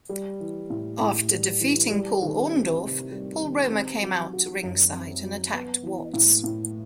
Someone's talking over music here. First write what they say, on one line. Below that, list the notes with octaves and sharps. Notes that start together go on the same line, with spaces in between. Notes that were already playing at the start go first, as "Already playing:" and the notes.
After defeating Paul Orndorff, Paul Roma came out to ringside and attacked Watts.
G3
E3
A2
A2
G3
E3
G3
D#3
C4
C3
G3
D#3
C4
F#3
F#4
F#2
C4
F#3
B3
E3
A2
A2